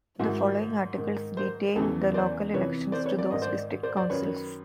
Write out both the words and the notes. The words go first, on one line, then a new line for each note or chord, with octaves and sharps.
The following articles detail the local elections to those district councils.
G#2 D#3 E4 F#4
G#2 D#3
A#4 C5
E2 C#3 E3 G4 A4
C5 D5
F2 C3 E3 B4 C#5
C5 D5
B4 C#5
D5
G#2 D#3 D#5
C5 D5
C5 D5
C5 D5
F#2 D#3 B4 C#5